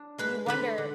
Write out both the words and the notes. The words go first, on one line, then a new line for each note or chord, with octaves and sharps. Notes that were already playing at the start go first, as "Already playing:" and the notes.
you wonder
Already playing: D4
G#3 B4 B5
D3 B4 B5
D3